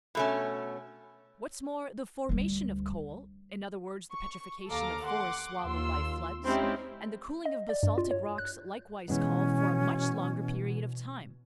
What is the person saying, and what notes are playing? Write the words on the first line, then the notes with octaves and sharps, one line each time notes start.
What's more, the formation of coal-- in other words, the petrification of forests swallowed by floods-- and the cooling of basaltic rocks likewise call for a much longer period of time.
B2 A3 C#4
D2 G3
C#6
D#2 A4 F5 A#5 D6
F#5 C6 D6
D#2 F4 C6 E6
G#3 C4 C#4 D#4 E4 G4
D#5
D5
G2
F4
C#5
F#6
B2 E3 G#3 B3 C#4